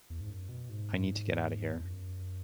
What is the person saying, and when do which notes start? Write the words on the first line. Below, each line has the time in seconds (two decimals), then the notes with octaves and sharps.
I need to get out of here!
0.10 E2
0.21 G#2
0.30 F#2
0.49 B2
0.69 G#2
1.73 E2
1.85 F#2